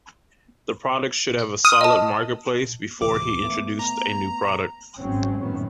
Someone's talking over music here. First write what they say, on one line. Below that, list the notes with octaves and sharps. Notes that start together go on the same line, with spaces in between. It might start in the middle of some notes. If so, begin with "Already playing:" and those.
The products should have a solid market place before he introduced a new product.
D#6 F6
D#5 A5
D2 C3 E3 D6
A3 B3
A#5
G#1 G#2 F#3 G#3 C4 C#4
A#1 F#2 A2 D#3 B3